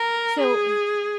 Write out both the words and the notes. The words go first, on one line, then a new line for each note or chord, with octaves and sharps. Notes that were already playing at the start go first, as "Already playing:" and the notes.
So, w
Already playing: A#4
G#4